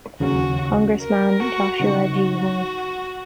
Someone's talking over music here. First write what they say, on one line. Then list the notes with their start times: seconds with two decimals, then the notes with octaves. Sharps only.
Congressman Joshua G. Hall.
0.19 D#2 C#3 F#3 C#4 F#4
1.00 A#4
1.40 F#4
1.80 C#3 F#3 D#4 F#4